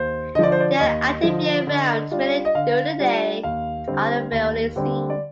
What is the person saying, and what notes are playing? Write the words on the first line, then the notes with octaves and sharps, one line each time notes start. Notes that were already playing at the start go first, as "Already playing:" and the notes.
They are active year-round, mainly during the day, but are rarely seen.
Already playing: D#2 C5
D3 F3 D5 D#5
C5
D5
D#2 D#5
D3 F3
D3
G3 D4 F4
D#5
D3 F5
G3 D4 F4
D#2 F5
D3 G3 C4
D#2
D3 G3 C4
D5